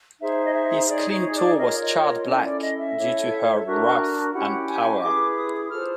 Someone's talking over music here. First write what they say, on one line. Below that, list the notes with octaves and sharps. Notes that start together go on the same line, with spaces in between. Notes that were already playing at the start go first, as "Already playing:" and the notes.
His clean toe was charred black due to her wrath and power.
D#4 G#4 C5 E5
D#5
E5
D#4 G#4 C#5 D5
C#5
D5
F4 A#4 C#5 D#5
D#5
C#4 E4 A4 D5
D5
D#5
E5
E4 A4 C#5
D4 F#4 A#4
C#4 E4 G4 F#5
G#5
E4 G#4 B4 D6
D#6
F4 A4 C5 F6